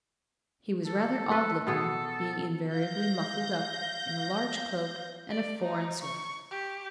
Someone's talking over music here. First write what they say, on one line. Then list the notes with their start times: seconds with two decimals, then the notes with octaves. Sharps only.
He was rather odd looking, being invariably muffled up in a large cloak and a foreign sort of hat.
0.86 A4
1.31 A4 B4
1.67 B2 B3 G#4 A4
2.73 F5 G6 A#6
5.30 D5
5.62 D#4
6.02 C#6
6.50 G4